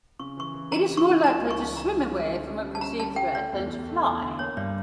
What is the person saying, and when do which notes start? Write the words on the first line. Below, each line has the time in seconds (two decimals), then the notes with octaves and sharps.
It is more likely to swim away from a perceived threat than to fly.
0.19 C#3 C#6
0.37 E3 C#6
0.54 E3
0.72 E3 A#5
0.89 C#3
0.97 C#6
1.07 A3
1.24 C#2 A#5
1.42 C#2
1.51 C#6
1.59 E3
1.77 C#2 A#5
1.95 G3
2.12 C#2
2.30 D3
2.46 C#4
2.64 G3
2.75 A5
2.81 C#4 A#5
2.99 G3 A5
3.16 G3 G5
3.35 A3 D5
3.53 E2
3.70 E2
3.87 A3
4.04 E2
4.22 D3
4.39 A#3 C#5
4.57 G2 D5